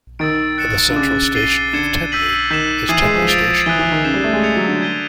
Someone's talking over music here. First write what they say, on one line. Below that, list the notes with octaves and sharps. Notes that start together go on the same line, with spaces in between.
The central station of Tenri is Tenri Station.
D#3 E6 A6 D7
F#6 A6 C#7 E7
D3
C#3 D6 F#6 A6
A6 C7 D#7 G7
D3 G#6 C#7 E7 G7
E6 G6 B6 D#7 F#7
D#3 G6 B6 E7
E3 D#6 G#6 C7 D#7
G#3
F3
F3 A6 D7 F7
E3 D#6 F#6 B6 D#7 G7
E3
D#3
C#3 G6 C7 E7 G7
G3
A3
G#3
G#6 C#7 F7
F#3
D3
G#6 B6 D#7 G7